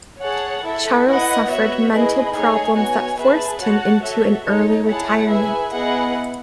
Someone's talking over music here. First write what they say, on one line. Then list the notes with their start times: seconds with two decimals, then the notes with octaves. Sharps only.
Charles suffered mental problems that forced him into an early retirement.
0.22 G#4 C#5 F#5 A5
0.64 E4 A4 E5
1.07 E4 B4 D#5 F#5
1.49 B3 F#4 C#5 E5
1.91 E4 G#4 B4 D#5
2.33 A3 D#4 G#4 C#5 G#5
2.75 B3 F#4 C#5 G#5
3.18 G#4 B4 E5 A5
3.60 F#4 C#5 F#5 A5
4.02 F#4 A4 C#5 E5
4.44 D#4 A4 C#5
4.87 E4 G#4 C#5 F#5 A5
5.29 G#4 B4 E5 G#5
5.72 B3 E4 G#4 D#5 F#5